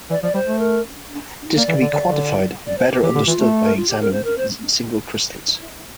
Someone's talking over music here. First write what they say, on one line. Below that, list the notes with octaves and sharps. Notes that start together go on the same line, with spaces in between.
This can be quantified and better understood by examining single crystals.
E3 D5
F3 D5
G3 C5
A3
A#4
A#3 D5
E3
D3
D3
D3
D5
C5
G4
E3 G4
D3
E3 F4
A3
A4
A#4
F4
G4
A#4
C5
A#4
C5